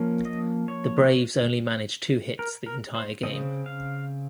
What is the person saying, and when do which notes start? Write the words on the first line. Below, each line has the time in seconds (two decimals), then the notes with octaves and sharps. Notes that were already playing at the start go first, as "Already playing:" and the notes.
The Braves only managed two hits the entire game.
Already playing: F3 A#3 C#4
0.25 D#5
0.68 C#5
2.39 A#4
2.66 A#4
2.95 C5
3.23 C#3 F3 C4 D#5
3.66 F5